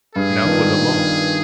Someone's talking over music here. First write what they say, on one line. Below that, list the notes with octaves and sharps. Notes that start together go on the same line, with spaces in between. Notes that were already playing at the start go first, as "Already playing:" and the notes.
"Now for La Mon."
G2 G#4
D#3 B3 D4 F4